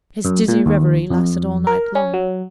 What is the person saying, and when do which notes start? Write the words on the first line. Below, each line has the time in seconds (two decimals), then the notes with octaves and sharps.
His dizzy revery lasted all night long.
0.25 F#2
0.48 A#2
0.66 D#2
1.10 F2
1.67 A#4
1.95 C#4
2.14 F#3